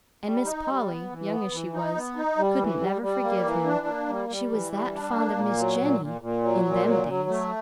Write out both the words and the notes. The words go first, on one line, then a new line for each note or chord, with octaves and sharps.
An' Miss Polly--young as she was--couldn't never forgive him; she was that fond of Miss Jennie--in them days.
G3
D#4
G3
B3
E3
B3
E3
D#4
B3
D#4
G3
E3
G3
G3
A#3
E3
D4
A#3
G3
G3
E3
G3
D4
A#3
A#2
F#3
A#2
A#2
A#2
F#3
A#2
F#3
F#3
A3